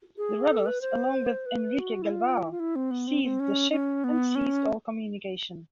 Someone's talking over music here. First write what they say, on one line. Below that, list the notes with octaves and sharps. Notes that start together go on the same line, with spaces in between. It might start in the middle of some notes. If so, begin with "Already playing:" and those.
The rebels, along with Henrique Galvao, seized the ship and ceased all communication.
G#4
A4
B4
C5
B4
F#4
E4
F4
E4
F4
E4
C4
B3
C4
C4
C#4
C#4
B3
C#4